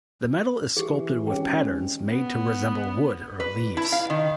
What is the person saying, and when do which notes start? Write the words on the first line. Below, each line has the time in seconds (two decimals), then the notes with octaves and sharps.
The metal is sculpted with patterns made to resemble wood or leaves.
0.77 E3 G4 G#4
1.27 G#1 C#4 G#4 G5
2.11 B3
3.40 B4
3.77 E4
3.92 F5
4.10 D#3